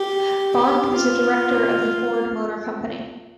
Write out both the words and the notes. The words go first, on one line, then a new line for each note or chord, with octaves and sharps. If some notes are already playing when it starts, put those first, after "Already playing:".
Bond was a director of the Ford Motor Company.
Already playing: G4
G4
F4